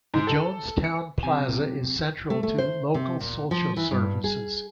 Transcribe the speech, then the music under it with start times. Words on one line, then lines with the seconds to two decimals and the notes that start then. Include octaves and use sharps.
The Jonestown Plaza is central to local social services.
0.14 G#2
0.27 A4
0.84 C#7
1.23 B1 C3 G#5
2.30 A3
2.43 A3
2.58 C5
2.94 C3
3.20 A#2
3.51 F3
3.77 E3
3.91 G2
4.24 G#4